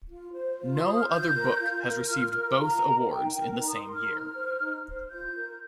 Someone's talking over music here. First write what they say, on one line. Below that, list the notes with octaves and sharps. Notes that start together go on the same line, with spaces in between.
No other book has received both awards in the same year.
F4
C5
F4
C6
C5 D#6
F6
F4 G6
A#4
F4
A#4
F4 F6
A#4
F4 A#5
A#4
D#4 G5
A#4
D#4 A#5
D#6
C6
A#4
F6
D#4
C5
D#4
C5
F4 G6
A#4